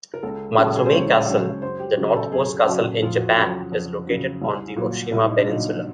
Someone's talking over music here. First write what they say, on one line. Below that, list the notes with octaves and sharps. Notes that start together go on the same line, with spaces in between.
Matsumae Castle, the northernmost castle in Japan, is located on the Oshima peninsula.
A#4
C#2 A4
C#3 F#3 G#4
A4
G#4
C5
C#2 C#5
C#3 F#3
F#2 C5
G4
C#3 F#3 F#4
A4
F#2 G#4
C#3 F#3 F#4
F2 F4
F#4
F4
C#3 F#3
F2
C#3 F#3
C2
A#2 F#3
C2 E4
D#4
D4
A#2 F#3 D#4